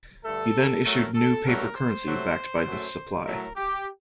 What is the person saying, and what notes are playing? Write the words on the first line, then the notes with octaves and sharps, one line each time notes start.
He then issued new paper currency backed by this supply.
G2 D3 A3 A4
C3 F#3 A3 A#4
A4
G2 F#3 A3 A#4
C5
C3 F#3 A3
F#2 F#3 A3
A2 F#3 A3 A#4
G4